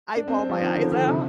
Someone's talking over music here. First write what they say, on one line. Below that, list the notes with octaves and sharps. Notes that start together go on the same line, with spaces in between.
I bawl my eyes out.
D4
C4
C4
F3
D#3
D3
D3
C3